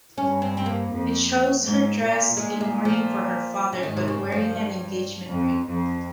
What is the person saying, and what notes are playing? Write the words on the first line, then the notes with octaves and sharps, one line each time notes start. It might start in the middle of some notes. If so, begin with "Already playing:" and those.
It shows her dressed in mourning for her father but wearing an engagement ring.
G2 C#4
C4
C4
A#3
F2
G#2
A#2
A#2 G#3
G#3
F3
C#3
G#2 D#3
C3
C#3
G2
F3
F2
F2